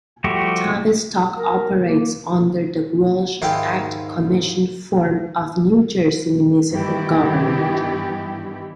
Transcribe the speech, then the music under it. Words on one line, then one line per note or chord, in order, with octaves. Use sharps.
Tavistock operates under the Walsh Act commission form of New Jersey municipal government.
F3 G3 A3 F#4 G4
A#4
A#3
D#2 G#2 E4 F4 G5
G2 D#3 E3 B3 E4 G4